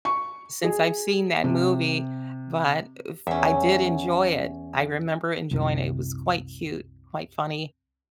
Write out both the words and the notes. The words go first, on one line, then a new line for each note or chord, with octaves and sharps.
since I've seen that movie, but, uh, f I did enjoy it. I remember enjoying it. It was quite cute, quite funny,
C#6
G#4
C3
E2 C#4 E5
C2 F#2 C3